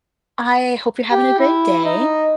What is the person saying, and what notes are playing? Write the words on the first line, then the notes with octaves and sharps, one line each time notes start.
I hope you're having a great day.
G4
E4
D#4